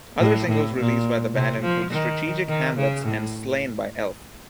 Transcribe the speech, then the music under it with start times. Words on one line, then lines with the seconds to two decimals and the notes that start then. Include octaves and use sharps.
Other singles released by the band include "Strategic Hamlets" and "Slain By Elf".
0.20 A2
0.49 A2
0.77 A#2
1.34 C3
1.62 F3
1.90 D#3
2.48 D#3
2.77 C#3
3.05 A2